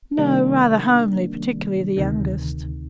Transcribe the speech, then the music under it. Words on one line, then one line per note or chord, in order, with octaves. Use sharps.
'No, rather homely, particularly the youngest.'
C3 D#3 G3 A#3 D4
D2 C3 D#3